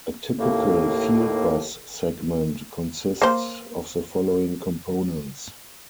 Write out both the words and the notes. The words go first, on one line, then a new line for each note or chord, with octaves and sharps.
A typical fieldbus segment consists of the following components.
D#2 A2 A#3
A#3 C5